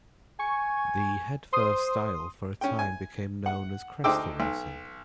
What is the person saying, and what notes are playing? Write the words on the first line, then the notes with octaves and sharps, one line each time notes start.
The head-first style for a time became known as 'Cresta' racing.
G#5 C#6
C5 C6 D#6
C#4 G5
G#5
F#5
D2 D#4 C5 G5 D6 E6
B1